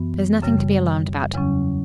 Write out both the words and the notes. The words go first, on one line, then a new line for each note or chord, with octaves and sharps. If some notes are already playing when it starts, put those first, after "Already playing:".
There's nothing to be alarmed about.
Already playing: F#2 E3 B3
F#2 C#3 G3
E2 C#3 F#3 C#4